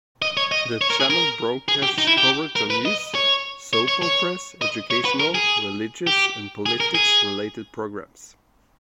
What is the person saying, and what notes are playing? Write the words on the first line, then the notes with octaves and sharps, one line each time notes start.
The channel broadcasts coverage of news, soap operas, educational, religious and politics related programs.
D#5
C#5
D#5
C#5
A#4
G#4
A#4
G#4
G4
D#4
E4
G4
A#4
B4
D#5
C#5
C#5
C#5
C#5
D#5
C#5
B4
A#4
G#4
G4
G#4
A#4
G#4